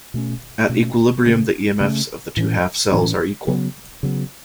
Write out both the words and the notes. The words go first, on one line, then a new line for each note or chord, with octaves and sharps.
At equilibrium the emfs of the two half cells are equal.
B2 A3 C#4
B2 A3 C#4
C#3 A3 C#4
C#3 A3 C#4
A2 E3 C#4
A2 E3 C#4
C#3 F#3 B3
C#3 F#3 B3